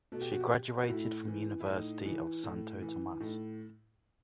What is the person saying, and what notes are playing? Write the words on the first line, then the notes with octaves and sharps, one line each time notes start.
She graduated from University of Santo Tomas.
B2 A4
G4
F#4
G4
F#4
A2 E4
E3
E4
A2 D#4
E3
A2
E3
A2 D#4